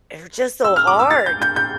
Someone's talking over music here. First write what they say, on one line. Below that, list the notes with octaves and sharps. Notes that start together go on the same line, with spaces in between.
They're just so hard.
E6
F6
D6
E6
A6
G6
G6
G6